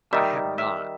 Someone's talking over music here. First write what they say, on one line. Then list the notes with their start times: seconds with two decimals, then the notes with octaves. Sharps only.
I have not.
0.13 D#3 G3 D#4 E5
0.58 E5